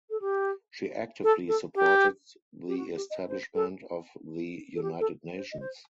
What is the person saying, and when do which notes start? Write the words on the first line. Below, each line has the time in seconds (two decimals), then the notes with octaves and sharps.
She actively supported the establishment of the United Nations.
0.10 A4
0.20 G4
1.23 A4
1.47 A4
1.74 G4
2.67 G4
2.76 F#4
2.94 G4
3.10 D#5
3.27 C5
3.54 A4
4.75 A4
4.81 G4
4.99 A4
5.34 C5
5.51 D#5
5.59 C5